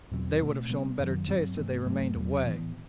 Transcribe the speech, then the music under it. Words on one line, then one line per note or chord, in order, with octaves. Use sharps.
"They would have shown better taste had they remained away."
E2 B2 F#3 C4
B2 A3 C4
B2 G3 B3
F#2 D#3 F#3
G2 F#3 C4
G2 E3 A3 C4
G2 F#3 A3
E2 B2 F#3
A2 E3 B3